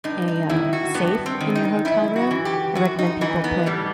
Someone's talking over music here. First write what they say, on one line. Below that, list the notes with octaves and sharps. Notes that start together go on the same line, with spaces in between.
a, uh, safe in your hotel room, I recommend people put
G2 D#4
D#4
D#3 E4
F#4
G2 B3
C4
D#3
D#4
F#2 E4
F#4
E3
G4
F#2 F#4
D#4
E3 D#4
B3
A2 G3